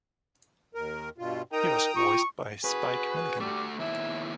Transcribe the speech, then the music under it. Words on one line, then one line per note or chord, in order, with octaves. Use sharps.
He was voiced by Spike Milligan.
D#2 A#4
G2 B2 F4
D#4 A#4 G5 A#5 D#6
F4 C#6
F#4 G#4 B4 G#5
G3 A3 F#4 D6
D#2 E4 E5